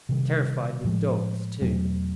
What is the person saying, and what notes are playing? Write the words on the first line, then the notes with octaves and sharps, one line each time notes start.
Terrified with dogs too!
C3 D#3 G3
A2 F3 G#3
E2 B2 F#3 A3